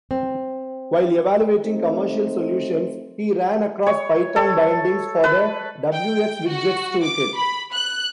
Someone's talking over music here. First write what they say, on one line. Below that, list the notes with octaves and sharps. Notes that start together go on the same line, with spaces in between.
While evaluating commercial solutions, he ran across Python bindings for the wxWidgets toolkit.
C4
A3 C4 D#4 C5
C#5
A4
B4
G5
F#4
D6
B5
F#6